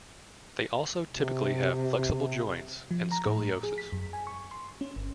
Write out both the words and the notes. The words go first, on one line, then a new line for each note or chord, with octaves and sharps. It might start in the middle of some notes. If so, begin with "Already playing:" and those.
They also typically have flexible joints and scoliosis.
C3
F3
A#5
A2
G#4
B6
F#2
G#5
C#6
C6
C#4
G1